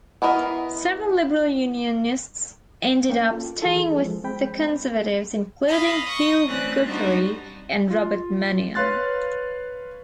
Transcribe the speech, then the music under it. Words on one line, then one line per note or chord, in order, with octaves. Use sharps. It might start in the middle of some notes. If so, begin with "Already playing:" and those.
Several Liberal-Unionists ended up staying with the Conservatives including Hugh Guthrie and Robert Manion.
B3 E4 A#4 D#5
A#3 C#4 G5
F4 A4
E3 G#4 A4
F3 G#3
G#3 C4 G5 B5
D#5 F5 B5
C#6 D#6
E3 A3 C4 C#4 D5 F#6
G3 C4 D4 D#4 F4 F#4
F4
B4 C#5 F5 C6 F#6 A6